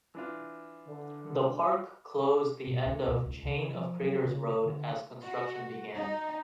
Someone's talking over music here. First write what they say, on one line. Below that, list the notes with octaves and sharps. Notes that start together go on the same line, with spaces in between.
The park closed the end of Chain of Craters Road as construction began.
E3 D4 F4
D3
B2
C#2
B2
C#2
C#3
F3
F#3
C#3
D3
F#4
D#4